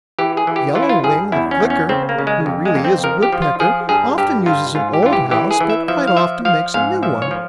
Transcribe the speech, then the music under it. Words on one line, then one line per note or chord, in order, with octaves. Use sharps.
Yellow Wing the flicker, who really is a Woodpecker, often uses an old house, but quite often makes a new one.
E3 G4
G#4
E3
G4
E3 F4
E4
F4
G2 G#4
E2 E4
C#4
E2
C#4
C#3 C4
A#3
C#3
G#3
F2
G#3
F2
C4
F3 A#4
G4
F3
F4
F3 G#4
G2 G#4
G2 G4
G2 F4
G#2 F4
G4
E3 F4
G4
E3 G4
G#4
E3
E5
F3 E5
F5
F3 E5
F3 F5
G#2 F5
F3 E5
C#5
F3